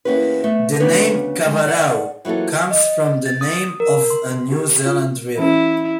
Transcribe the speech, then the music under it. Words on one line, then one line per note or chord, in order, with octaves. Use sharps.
The name "Kawarau" comes from the name of a New Zealand river.
E2 B2 A#3 C#4 G4 B4
A3 B3 E5
D2 C#3 B3 D4 B4
F2 G#3
D5 F#5
E3 F#3 A#3 F4 A4
D#5
A6
D#6
A#4
C6
G4
F4
E3 C#4 E4